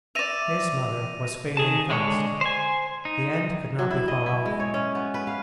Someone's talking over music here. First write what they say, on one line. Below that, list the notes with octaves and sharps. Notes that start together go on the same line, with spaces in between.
His mother was failing fast; the end could not be far off.
D5 E5 A#6 D#7 F7
D#3 G#4 A5
D3 G#3 D4 C#5
C5 G#5
D#4
F#3
E4
D#5
E4
G#3
C#5
C#4
B3
B4
F5